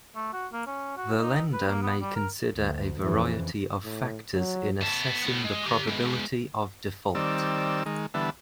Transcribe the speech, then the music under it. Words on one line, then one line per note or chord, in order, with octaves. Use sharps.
The lender may consider a variety of factors in assessing the probability of default.
A3
F#4
A#3
C#4
F#4
D#4
B4
A#3
B3
G3
A#4
D2
F2 C#3 E3
A2
F#3
B3 A5
A2 B3
G#3
G4 A#5
G#3 B3
D#3 G3 C4 D5 E6
D#3 G#3
D3 E3 G3 B3 E5 A5